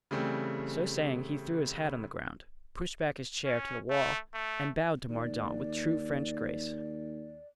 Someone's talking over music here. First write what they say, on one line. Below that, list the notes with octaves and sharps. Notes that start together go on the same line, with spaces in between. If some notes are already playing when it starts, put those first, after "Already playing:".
So saying, he threw his hat on the ground, pushed back his chair to the wall and bowed to Mordaunt with true French grace.
C#3 E3 G3 A3 C4
C#4
A3
A3
D#2 D5